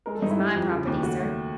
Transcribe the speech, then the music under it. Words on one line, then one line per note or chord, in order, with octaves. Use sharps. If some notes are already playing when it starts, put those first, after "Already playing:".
"He's my property, sir."
G#3 A#4
A4
G2 D#4
E4
G3
F2
C#3
D#2
A3 F#4
A3